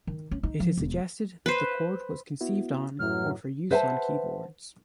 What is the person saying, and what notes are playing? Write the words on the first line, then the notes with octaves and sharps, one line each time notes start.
It is suggested that the chord was conceived on or for use on keyboards.
D#3
C#4
D#4
F3
E1
B4 C5
B3 E4 F#4
A1 F#2 A2 F#3 E4 F6
B4 C5 E5 F#5 G#5 A5